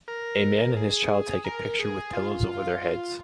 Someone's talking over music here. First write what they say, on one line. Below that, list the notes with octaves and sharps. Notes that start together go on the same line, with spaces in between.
A man and his child take a picture with pillows over their heads.
A#4
G#4
A#4
G#4
F4
F4